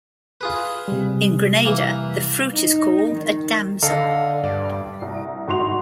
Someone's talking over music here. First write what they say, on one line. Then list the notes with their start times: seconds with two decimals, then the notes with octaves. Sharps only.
In Grenada, the fruit is called a damsel.
0.41 F4 G#4 B4
0.88 C3 G3
1.65 E3 A#3
2.54 D#4
3.13 D#3
3.83 D3 A4 D#5 F5
4.44 G2 D5
5.02 C2
5.47 G#1 F#4 C6 F7